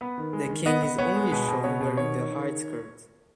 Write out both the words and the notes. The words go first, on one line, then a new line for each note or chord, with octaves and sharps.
The king is only shown wearing the hide skirt.
B3 B4
D#3
G#3
D#3
B3 D#5
B3
B3 C#5
G#3
B2 B4
B2
B3 C#5
B2
D#3 C#5
D#3
D#3